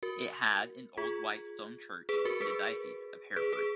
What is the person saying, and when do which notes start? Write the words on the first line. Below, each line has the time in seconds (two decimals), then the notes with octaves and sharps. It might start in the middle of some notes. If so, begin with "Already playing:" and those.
It had an old white stone church in the Diocese of Hereford.
0.03 F#4 A#4
0.97 F4 G#4
2.09 G#4 B4
2.25 F#4 A#4
2.41 G#4 B4
3.36 G#4 B4
3.53 G#4 B4